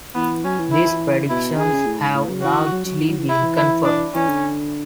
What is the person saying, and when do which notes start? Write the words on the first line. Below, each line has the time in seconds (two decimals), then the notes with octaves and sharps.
These predictions have largely been confirmed.
0.15 E3 B3
0.44 F#3 C#4
0.58 E3
0.72 E4
1.29 B2 E4
1.57 D3 G#4
1.72 C#3
1.85 A2
2.00 G#2
2.14 A2
2.29 F#3
2.42 E3 F#4
2.71 F#3
2.86 F#3
3.00 E3
3.08 F#3
3.18 E3
3.29 E4
3.42 E3
3.57 E4
3.85 D4
4.14 E3 C#4
4.28 D3